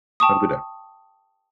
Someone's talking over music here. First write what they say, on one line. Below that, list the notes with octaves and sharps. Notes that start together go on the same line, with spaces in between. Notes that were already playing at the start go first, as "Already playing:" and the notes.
Have a good day.
G5 A5 C#6 D#6